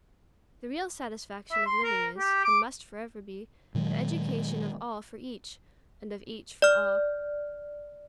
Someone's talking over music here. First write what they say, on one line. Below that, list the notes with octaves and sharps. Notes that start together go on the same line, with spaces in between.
The real satisfaction of living is, and must forever be, the education of all for each, and of each for all.
E5
C6
A#4
G4
D6
A#2 D#3 F#3 G#3
D5 F6